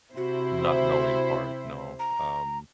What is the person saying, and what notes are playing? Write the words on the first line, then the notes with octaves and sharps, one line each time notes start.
not knowing part, you know? Um,
C3 E4 F#4 C5
A#5